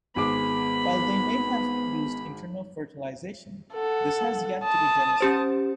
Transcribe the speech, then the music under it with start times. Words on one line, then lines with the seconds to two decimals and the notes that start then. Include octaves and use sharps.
While they may have used internal fertilization, this has yet to be demonstrated.
0.16 G#1 G#3 B3 B5 D6
3.74 A4 F#5
4.63 A5 D#6
5.21 C#4 G4 C5